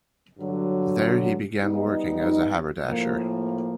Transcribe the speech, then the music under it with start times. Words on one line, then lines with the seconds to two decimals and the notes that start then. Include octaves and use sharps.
There he began working as a haberdasher.
0.38 G2 D3 F#3
1.62 G3 B3 D#4
2.86 A2 F3 A#3